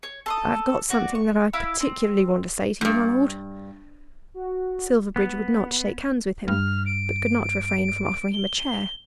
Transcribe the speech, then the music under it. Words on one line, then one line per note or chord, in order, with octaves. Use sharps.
"I've got something that I particularly want to say to you, my Lord." Silverbridge would not shake hands with him, but could not refrain from offering him a chair.
C#5
A4 C6 D#6
F#4 D5
C#6
E4 F5 B5
C4
E2 G2
F#4
B3
G2 F6
D7
G7